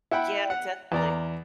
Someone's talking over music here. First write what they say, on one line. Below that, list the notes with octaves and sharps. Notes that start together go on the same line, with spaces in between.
Yeah. Definitely.
E4 F#5 G5 B5
F#5
E2 D5 A#5